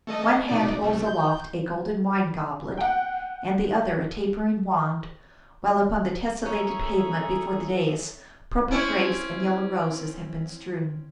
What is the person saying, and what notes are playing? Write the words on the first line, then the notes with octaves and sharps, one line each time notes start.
One hand holds aloft a golden wine-goblet, and the other a tapering wand, while upon the tesselated pavement before the dais purple grapes and yellow roses have been strewn.
A3 A4 D#5
B2 D#4 D5
C2 A3
G6
F#5 G5
C#4 G#4 A4 E5 A#5
C4 C#4 E4